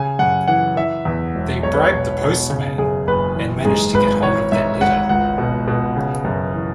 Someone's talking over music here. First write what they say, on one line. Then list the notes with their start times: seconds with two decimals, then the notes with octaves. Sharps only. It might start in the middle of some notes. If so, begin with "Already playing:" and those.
They bribe the postman and manage to get hold of that letter.
Already playing: C#3 G#5
0.19 F#2 F#5
0.48 E3 F#5
0.76 E3 E5
1.05 E2
1.35 E1
1.63 B1 C#5
1.74 B4
1.84 C#5
1.92 B2
2.21 B2
2.50 C#3
2.78 F#2 G#4
3.07 F#1 B4
3.36 E3
3.65 G#2 G#4
3.94 G#1 B4
4.23 E3 C#5
4.52 G#2 E5
4.81 G#1 F#5
5.09 C#2 F#5
5.38 B2
5.68 B2
5.96 C#3
6.25 F#2
6.54 E3